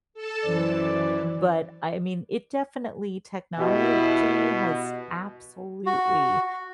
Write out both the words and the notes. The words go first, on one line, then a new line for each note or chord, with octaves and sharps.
But, I mean, it definitely Technology has absolutely
A4 A5
F#2 E3 C5 D5
B2 E4 F#4 G4 D#5
F#4